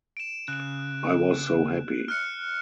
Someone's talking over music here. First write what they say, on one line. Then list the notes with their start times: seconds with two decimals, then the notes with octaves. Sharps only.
I was so happy.
0.17 D7 E7
0.48 C#3 F#6
2.08 F6 F#6 C#7